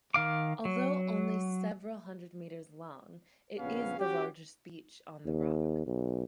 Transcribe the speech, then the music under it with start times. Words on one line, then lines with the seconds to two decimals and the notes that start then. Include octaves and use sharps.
Although only several hundred metres long it is the largest beach on The Rock.
0.14 D#3 F5 D6
0.65 F#3
3.59 A#1 C#3 B3 C#4 F5
3.99 C#4 F#4 G4
5.26 D#2
5.86 B1